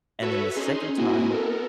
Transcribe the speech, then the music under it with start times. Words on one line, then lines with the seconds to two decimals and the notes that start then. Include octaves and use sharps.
and then the second time
0.22 F#4 A4 B4 C#5 E5
0.55 C#4 D#4 G#4 C6
0.98 A#3 C4 E4 F#4 D#5 G#5
1.31 B3 A4 A#4